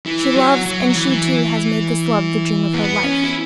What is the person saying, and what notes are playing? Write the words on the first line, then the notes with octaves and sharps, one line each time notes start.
She loves, and she, too, has made this love the dream of her life.
E3
F#3
F#3
F#3
E3
B3
C#4
E4